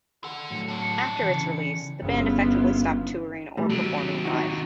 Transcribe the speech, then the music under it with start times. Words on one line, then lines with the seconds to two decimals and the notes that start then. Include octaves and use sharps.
After its release, the band effectively stopped touring or performing live.
0.24 A4 F#5
0.51 A2 F#3 C#7
0.68 D4 C#5
1.21 C#3 E3
1.51 C#7
2.02 G1 C#3 B3 E4 F4
3.57 A2 G3
3.70 D#2 C3 F#3
4.25 D#4 F#4